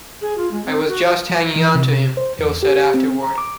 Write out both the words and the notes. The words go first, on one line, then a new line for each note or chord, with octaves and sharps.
"I was just hanging on to him," Hill said afterward.
G#4
F4
G#3
C4
F#4
F3
E3
C3
C5
E2
G4
C4
A#5
D6